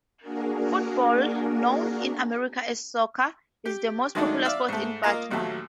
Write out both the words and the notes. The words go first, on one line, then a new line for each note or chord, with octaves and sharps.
Football, known in America as soccer, is the most popular sport in Batman.
A#3 D4 F#4 G#4 A#4
G4
D#3 F#3 G#3 A3 D4 D#4
D5 E5 F5
G#2 A3
A#3 F4 D#5 A#5
A#1 D#2 F#3 A3